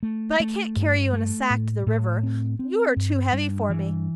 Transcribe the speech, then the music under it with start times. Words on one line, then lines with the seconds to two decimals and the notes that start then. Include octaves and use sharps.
'But I can't carry you in a sack to the river; you are too heavy for me!
0.03 A3
0.40 A3
0.76 G2
1.13 A3
1.50 A2
1.87 A2
2.23 C4
2.59 C4
2.96 G2
3.33 G2
3.70 E3